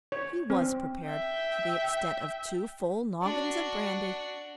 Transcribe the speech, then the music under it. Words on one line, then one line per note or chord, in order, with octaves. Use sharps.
He was prepared to the extent of two full noggins of brandy.
C#5
C4
E5 G5
D4 F#4